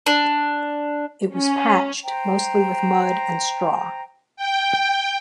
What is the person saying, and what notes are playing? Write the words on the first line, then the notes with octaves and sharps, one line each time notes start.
It was patched, mostly with mud and straw.
D4
C#4
C5 G5 A#5
G5